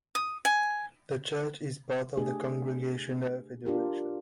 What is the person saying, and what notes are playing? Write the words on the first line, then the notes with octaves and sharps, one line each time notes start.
The church is part of the Congregational Federation.
D#6
G#5
A3 D4 G4 G#4
D4 F4 G4 A#4